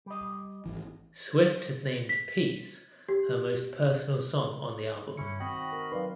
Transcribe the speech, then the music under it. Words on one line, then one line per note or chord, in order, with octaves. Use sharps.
Swift has named "Peace" her most personal song on the album.
G3 D#5
G#1 E3
B6
G4
G2 C#4 E4 C#6 C#7
D#3 C4 F#4 D#5 G5 B5
A#4
F#3 D#4 B4 D5 F5 C6